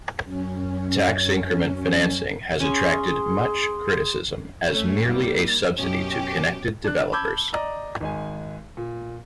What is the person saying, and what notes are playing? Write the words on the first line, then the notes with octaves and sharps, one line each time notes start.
Tax-increment financing has attracted much criticism as merely a subsidy to connected developers.
F#2 C#4
C#4 G#4 G#5 C6
A3 C#4
G3 A#3 D#4
F#2 B2 C#4 G4
D4 F#6
A5 B5 D6 E6 G6 G#6
D5 D#5 A#5
G#1 G#3 G#5
A#2